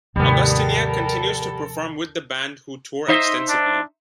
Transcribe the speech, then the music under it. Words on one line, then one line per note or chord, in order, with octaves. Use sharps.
Augustyniak continues to perform with the band who tour extensively.
D#2 G#2 C3 F3 G3 B3 A4 A#4
D#4 C5 D#5 E5
D4